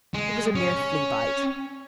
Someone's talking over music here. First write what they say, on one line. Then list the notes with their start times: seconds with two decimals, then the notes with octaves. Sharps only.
It was a mere flea-bite.
0.14 G#3
0.55 C#4